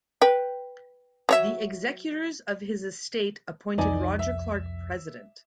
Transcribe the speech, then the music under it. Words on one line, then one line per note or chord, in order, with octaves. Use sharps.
The executors of his estate appointed Roger Clark president.
B4 G5
F#3 C#5 E5
C2 F2 D#4 D5 G#5
E5